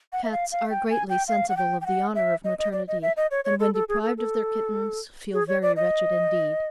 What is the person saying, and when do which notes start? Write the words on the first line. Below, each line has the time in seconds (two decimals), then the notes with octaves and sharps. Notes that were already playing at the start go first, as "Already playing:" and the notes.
Cats are greatly sensible of the honour of maternity, and when deprived of their kittens feel very wretched indeed.
0.13 F#5
0.24 E5
0.32 F5
0.52 F5
0.70 G5
0.90 G#5
1.10 G5
1.28 F5
1.49 F#5
1.57 G5
1.81 G5
1.86 F#5
2.15 E5
2.44 D#5
2.59 D#5
2.72 D5
2.88 D#5
3.02 E5
3.17 D#5
3.31 C#5
3.45 C#5
3.60 A4
3.74 A4
3.89 G#4
4.03 A4
4.18 A4
5.33 G#4
5.48 C#5
5.62 D5
5.76 D#5